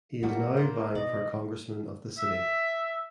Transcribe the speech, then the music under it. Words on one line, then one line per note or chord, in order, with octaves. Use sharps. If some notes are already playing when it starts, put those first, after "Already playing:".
He is now vying for congressman of the city.
A2 G3 A3 A#3 F#4
C5
B2 D5 D#5
E5